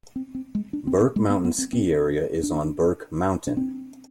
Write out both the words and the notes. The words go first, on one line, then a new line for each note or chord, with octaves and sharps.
Burke Mountain Ski Area is on Burke Mountain.
C4
C4
G#3
D4
C4
B3
G#3
B3
B3
C4
C4
D4
D4
C4